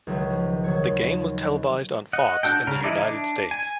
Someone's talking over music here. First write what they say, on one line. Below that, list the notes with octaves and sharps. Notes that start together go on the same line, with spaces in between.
The game was televised on Fox in the United States.
C#2 D#3 F#3 E5
F3
D#3 F#3 C#5
D#2
D#5 F#5
D4 F#4 A4 G5
C#3 A#4
E3 D#4 E4 A4 D5
D4
G#5